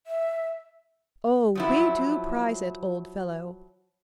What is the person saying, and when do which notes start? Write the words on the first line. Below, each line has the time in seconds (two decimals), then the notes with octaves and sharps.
Oh, we do prize it, old fellow!
0.07 E5
1.55 F3 F#3 E4